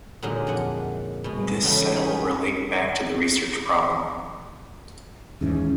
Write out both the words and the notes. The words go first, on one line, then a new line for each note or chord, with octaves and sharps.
This set will relate back to the research problem.
A#2 D3 F#3 G#3 D#4 A#4
F2 D5 F#5 G#5
B2 G#3
C#3 E3 F#3 G3 A3 D#4
D#4 G#4 A#4 C#5 G#5 B5
D#2 G#2 E3 C#4